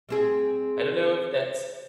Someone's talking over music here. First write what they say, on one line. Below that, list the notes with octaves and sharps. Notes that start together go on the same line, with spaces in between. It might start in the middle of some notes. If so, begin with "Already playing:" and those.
I don't know if that's
G3 C4 G#4